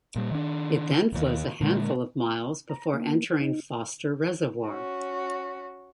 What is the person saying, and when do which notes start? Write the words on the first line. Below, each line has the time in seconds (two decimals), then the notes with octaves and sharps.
It then flows a handful of miles before entering Foster Reservoir.
0.16 A#2 G3
0.31 D#3 D4
1.13 E1 D#2
1.61 A#2 D3 G#3 A#3
2.70 A#5
2.94 A#3
3.41 D#4
4.67 C#4 F#4